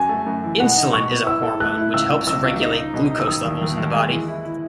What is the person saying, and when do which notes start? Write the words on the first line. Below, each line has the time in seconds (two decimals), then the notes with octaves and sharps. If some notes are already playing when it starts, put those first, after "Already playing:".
Insulin is a hormone which helps regulate glucose levels in the body.
Already playing: F#2 F#4 G#5
0.09 A3
0.26 F#2
0.44 E3
0.60 B2 F#5
0.77 D#4
0.93 B2 C#6
1.11 B3
1.27 E4 E6
1.43 A4
1.60 A3 F#6
1.78 E4
1.94 C#2 E6
2.10 C#2
2.27 C#2 E6
2.44 C#2
2.61 D#4
2.77 D#4
2.94 B2
3.11 D#4
3.20 E6
3.27 D#3 D#6
3.44 D#2
3.61 D#2
3.77 D#2
3.94 G#3
4.11 E3
4.28 E4
4.45 E4